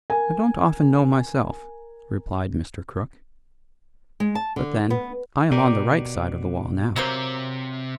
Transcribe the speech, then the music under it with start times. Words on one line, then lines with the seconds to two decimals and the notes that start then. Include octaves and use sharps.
"I don't often know myself," replied Mr. Crook; "but then I am on the right side of the wall now."
0.10 A#4 G#5
4.20 G#3
4.35 A5
4.56 D3
4.90 B3
5.51 B2 G4 A#4 D5
6.96 C3 F#3 A#3 C5